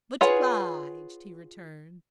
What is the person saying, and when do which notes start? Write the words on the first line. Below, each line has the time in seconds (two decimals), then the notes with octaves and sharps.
"Much obliged," he returned.
0.21 F4 G#4 B4 C#5 F#5